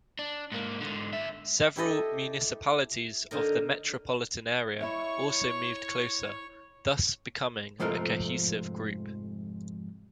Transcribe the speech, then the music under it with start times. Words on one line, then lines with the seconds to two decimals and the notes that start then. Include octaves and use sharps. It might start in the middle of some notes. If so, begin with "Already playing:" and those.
Several municipalities of the metropolitan area also moved closer, thus becoming a cohesive group.
0.19 D4
0.52 G#2 A#3
0.80 G#2 D3
1.13 D3 E5
1.76 E4 G4 A4 D#5
3.31 D3 D#4 A#4
4.81 E4 C#5 D#5 E5 C#6
7.80 F2 G#2 C3 F3 A3 A#4